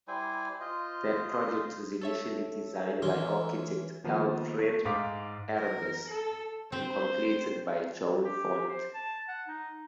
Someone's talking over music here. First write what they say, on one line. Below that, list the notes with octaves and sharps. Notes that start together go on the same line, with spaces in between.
That project was initially designed by architect Alfred Arribas and completed by Joan Font.
G3 E4 C5 G#5
F4 C5 D#5
A4 C#5 E5
E3 C#4 C6
D#3 F3 A#3 B3
A3
G#2 F5 D6 B6
A#4
A4
C4 C5
G4
C5
A5
F#5
D#4